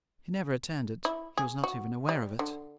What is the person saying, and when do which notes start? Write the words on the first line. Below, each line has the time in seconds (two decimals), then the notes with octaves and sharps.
He never returned it--he was not even aware of it.
1.05 E4
1.37 G#4
1.64 F#4
2.09 G3
2.39 D3